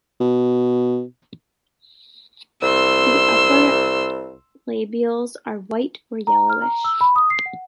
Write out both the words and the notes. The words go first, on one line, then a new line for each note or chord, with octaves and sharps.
The upper labials are white or yellowish.
B2
C2 C6 E6
A#5
F6
A#5
E6
B5
D#6
C7
F#5